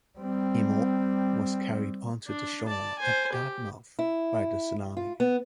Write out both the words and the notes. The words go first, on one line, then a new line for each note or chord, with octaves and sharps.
"Imo" was carried onto the shore at Dartmouth by the tsunami.
G3 C4
D4
D5 A5
C5 G#5
G4
E4
F4
B3